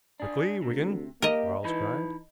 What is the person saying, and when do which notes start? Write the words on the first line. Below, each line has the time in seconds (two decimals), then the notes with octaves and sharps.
"Quickly, Wigan!" Quarles cried.
0.20 D4 G#4
0.62 D2 C3
1.22 A#3 G4 A#4 D#5
1.64 E3 D#4 A5 B5